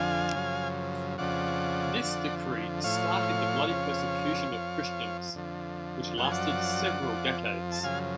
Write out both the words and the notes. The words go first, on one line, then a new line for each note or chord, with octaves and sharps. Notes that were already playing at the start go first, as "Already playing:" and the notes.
This decree started the bloody persecution of Christians, which lasted several decades.
Already playing: F2 D3 F3 F5 G#5
F#2 C#3 F3
F2 C#3 F3 D5 F#5
F2 D3 F3
A2 F3 C#5 F5
F2 C#3 F3
F2 F3
F2 D3 F3
F#2 F3 F#5
G#5
D5 F#5
F2 F3
A5
F#2 C#3 F3 F5 G#5